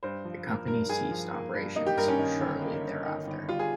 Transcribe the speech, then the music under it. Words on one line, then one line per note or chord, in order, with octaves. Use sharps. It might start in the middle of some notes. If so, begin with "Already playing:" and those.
The company ceased operations shortly thereafter.
G2 C5
F3
A#3 A#4
G2 A#4
G2 G#4
F3
A#3
G2
A#3 D#4
G4
G2 A#4
C#4
D#3
G1
A#3
G2
D#3 D#4
G1
G3 F4
G#4